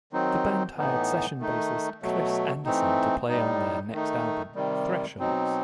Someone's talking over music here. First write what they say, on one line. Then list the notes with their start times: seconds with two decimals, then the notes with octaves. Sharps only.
The band hired session bassist Chris Anderson to play on their next album, "Thresholds".
0.12 D#3 F#3 C4 D#4
0.76 A2 E3 B3 D#4
1.39 D#3 A3 D#4
2.02 B2 F#3 A3
2.65 E3 A3 C4 D#4
3.29 A2 G3 D#4
3.92 D#3 A3 D#4
4.55 C3 D#3 G3
5.19 B2 F#3 C4 D#4